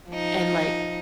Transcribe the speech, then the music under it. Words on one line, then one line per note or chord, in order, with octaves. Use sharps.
and, like,
F3 D#4